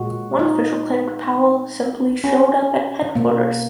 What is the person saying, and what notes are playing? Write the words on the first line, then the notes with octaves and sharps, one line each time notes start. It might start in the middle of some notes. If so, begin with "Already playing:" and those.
One official claimed Powell "simply showed up at headquarters".
Already playing: A#2 G#3 F#4
D#4
C#4
B2 A#3